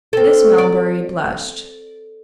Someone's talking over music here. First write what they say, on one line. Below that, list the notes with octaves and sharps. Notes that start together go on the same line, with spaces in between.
Miss Melbury blushed.
C4 A4
D5